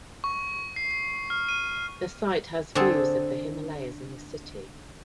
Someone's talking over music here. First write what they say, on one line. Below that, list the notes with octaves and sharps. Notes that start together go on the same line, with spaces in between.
The site has views of the Himalayas and the city.
C#6
C7
F6
D#7
D3 C4 G#4 A4